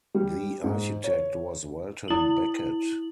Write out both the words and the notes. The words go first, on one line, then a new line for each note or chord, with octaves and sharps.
The architect was Welton Becket.
G3
G#2
C#5
E4 F#7